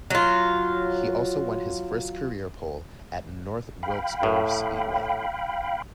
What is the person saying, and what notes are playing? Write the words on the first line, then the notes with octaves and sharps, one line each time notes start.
He also won his first career pole at North Wilkesboro Speedway.
F#3 F4
F5 G5 B5
A2